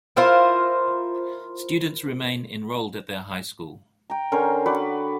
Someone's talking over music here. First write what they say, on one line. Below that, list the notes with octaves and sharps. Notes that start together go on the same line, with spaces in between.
Students remain enrolled at their high school.
E4 F4 A#4 C5
G5 A#5
D3 C#4 A#4 C5
F#4 B4 D5